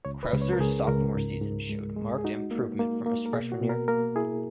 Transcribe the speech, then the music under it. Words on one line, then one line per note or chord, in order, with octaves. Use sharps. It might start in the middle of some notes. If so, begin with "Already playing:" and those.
Krauser's sophomore season showed marked improvement from his freshman year.
C#2 C#5
B4
C#2
C#5
A#4
C#2 G#4
C#2 A#4
G#2
G#2
G#3
G#3
G#4
D#4 F#4
A#3
A#3
A#3
A#4
B2 G#4
F#4
B2
A#4
A#3 A#4
E4 G#4